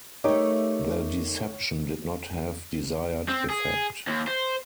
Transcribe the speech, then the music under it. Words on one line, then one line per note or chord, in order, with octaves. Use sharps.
The deception did not have desired effect.
A3 D#4 G4 A#4 C#5 D6
C4
G#4
D#2
C5